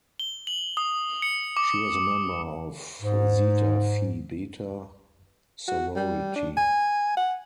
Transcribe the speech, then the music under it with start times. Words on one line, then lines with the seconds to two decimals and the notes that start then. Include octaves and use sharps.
She was a member of Zeta Phi Beta sorority.
0.19 G7
0.47 F#7
0.77 D#6
1.22 C#7
1.57 D6
3.01 G#2
5.68 F#4
5.96 G3
6.36 D4
6.57 G#5
7.17 F#5